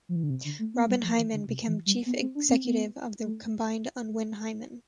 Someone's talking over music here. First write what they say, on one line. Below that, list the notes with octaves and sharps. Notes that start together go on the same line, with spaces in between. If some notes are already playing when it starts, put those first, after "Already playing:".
Robin Hyman became chief executive of the combined Unwin Hyman.
F3
E3
D3
C3
D3
A3
B3
G3
F3
E3
D3
C3
E3
G3
B3
C4
D4
C4
B3
A3